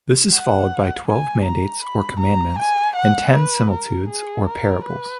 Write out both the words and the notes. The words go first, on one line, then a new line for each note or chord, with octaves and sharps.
This is followed by twelve mandates or commandments, and ten similitudes, or parables.
F#5
G#5
A#5
B5
A#5
G#5
F#5
B4
A#4
G#4
A#4
B4